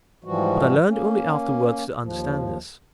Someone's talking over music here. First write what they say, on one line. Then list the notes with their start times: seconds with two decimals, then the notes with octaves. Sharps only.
But I learned only afterwards to understand this.
0.24 G#2 E3 F3 G3 F#4
0.88 A#3 C#4
2.03 D#2 F3